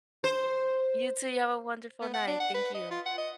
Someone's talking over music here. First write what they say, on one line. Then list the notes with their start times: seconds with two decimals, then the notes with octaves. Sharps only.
You too. You have a wonderful night. Thank you.
0.24 C5
2.01 B3
2.14 F#5
2.27 D4
2.40 F#5
2.54 B4
2.75 D#5
2.91 F4
3.06 F#5
3.18 D#5